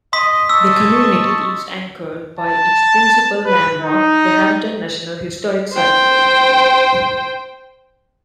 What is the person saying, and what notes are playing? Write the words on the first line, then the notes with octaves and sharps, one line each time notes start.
The community is anchored by its principal landmark, the Hampton National Historic Site.
D#5 C6 D#6 B6
D#5 A5 C#6 E6
A5
B4
D#4
C5 G5